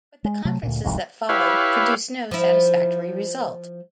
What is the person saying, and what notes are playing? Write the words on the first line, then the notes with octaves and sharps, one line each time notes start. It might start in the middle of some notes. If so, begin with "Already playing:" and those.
But the conferences that followed produced no satisfactory result.
G#3
C3 F#3 A3
D2 A#2
E1 C2 F2 G#2
E4 G4 B4 C#5 F5
F3 E4